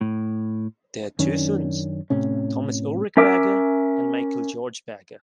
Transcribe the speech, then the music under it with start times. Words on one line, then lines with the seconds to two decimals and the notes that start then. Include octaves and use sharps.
They had two sons, Thomas Ulrich Berger and Michael George Berger.
0.01 A2
1.19 F#2 D#3 C#4 D4
2.10 A2 C3 C#4
3.17 C#4 A#4 E5 D6